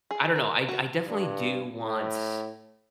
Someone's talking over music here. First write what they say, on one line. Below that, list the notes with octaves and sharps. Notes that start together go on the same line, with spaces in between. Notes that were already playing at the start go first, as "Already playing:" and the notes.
I don't know. I d I definitely do want
G#4
A#4
F#4
G2
A2